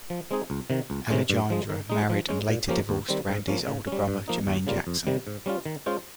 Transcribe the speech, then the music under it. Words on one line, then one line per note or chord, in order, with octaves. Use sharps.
Alejandra married and later divorced Randy's older brother, Jermaine Jackson.
F3
G#3 C4 D#4 G#4
C#2
C3 D#3
C#2
C3 D#3 G#3 C#4
G2
F3 G#3
D#3
G#3 D#4
F3
G#3 C#4
A#2
F3 A#3 C#4 G4
D#2
D#3 G3 C4
G#2
F3 A#3 C#4
C#3
G3 C#4
G2
F3 A#3 D#4
D#2
C#3 G3 A#3 F4
F2
C3 D#3 G3
G#2
G3 C#4 F4
D#3
G#3 C#4 F4 C5